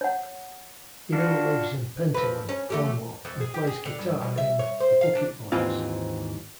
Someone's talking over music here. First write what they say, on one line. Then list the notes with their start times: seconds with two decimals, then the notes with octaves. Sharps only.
He now lives in Pentewan, Cornwall, and plays guitar in The Bucket Boys.
0.01 C#5 F#5
1.12 D4 F4 F#4
2.14 F2 B4
2.49 C#4
2.70 E2 A3 G4
3.25 F2
3.40 G#4
3.54 G4
3.67 G#4
3.86 D3
3.98 G2
4.21 B2
4.37 E5
4.59 C#5
4.80 C5
5.01 F5
5.15 D4
5.52 D#2 G#2 E3 C4 F4